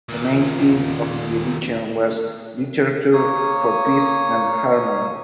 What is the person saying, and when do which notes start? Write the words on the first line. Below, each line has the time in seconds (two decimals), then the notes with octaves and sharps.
The main theme of the edition was "Literature for Peace and Harmony".
0.09 D#2 A#2
3.13 A#3 C#5 D#6